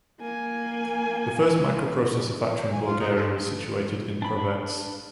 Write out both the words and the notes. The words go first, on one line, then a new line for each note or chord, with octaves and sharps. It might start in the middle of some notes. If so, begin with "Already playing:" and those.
The first microprocessor factory in Bulgaria was situated in Pravets.
A#3 G#5
G#5
F4
D#4
A4
D4 B5